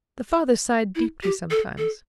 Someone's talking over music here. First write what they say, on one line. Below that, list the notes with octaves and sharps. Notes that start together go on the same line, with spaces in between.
The father sighed deeply sometimes.
E4
G4
A4
A4